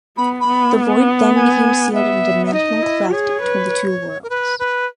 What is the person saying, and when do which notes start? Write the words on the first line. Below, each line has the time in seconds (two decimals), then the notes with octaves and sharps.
The Void then became sealed in a dimensional cleft between the two worlds.
0.17 B3 B5
0.40 B5
0.47 B3
1.35 G#5
1.94 B3 E5
2.46 E5
2.52 D#4 D#5
2.82 E4
3.12 G#4 C#5
3.42 B4
4.23 A#4
4.30 B4
4.59 B4